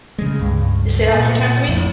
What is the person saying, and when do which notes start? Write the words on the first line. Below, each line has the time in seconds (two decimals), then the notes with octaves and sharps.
Say that one more time for me.
0.18 C#3 G#3
0.39 C#2 G2
1.12 A#2
1.68 F2 A2